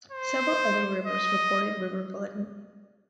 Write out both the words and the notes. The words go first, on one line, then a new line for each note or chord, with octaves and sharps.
Several other rivers reported river flooding.
C5
D#5